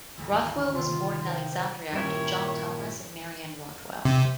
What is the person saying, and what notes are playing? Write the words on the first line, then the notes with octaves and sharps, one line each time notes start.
Rothwell was born in Alexandria to John Thomas and Mary Ann Rothwell.
G#1 D2 E3
C3 D#3 F4
A#4 C5 G5
G2 A#2 D#3 G3 C#4 E4 C#5
C3